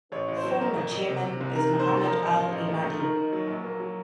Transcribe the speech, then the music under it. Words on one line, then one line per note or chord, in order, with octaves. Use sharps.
Former Chairman is Mohammed Al Emadi.
A1 C#5
A1
C5
F#3
C5
F2 A#4
F2
F2
C3
C3
C2
D#3 A#4
A#3
C5
F#2
A4
F3 A#4
A1
F3
A1
A3
A3
D#3 A#4
D#3
F#3
A#1
A#3
F#3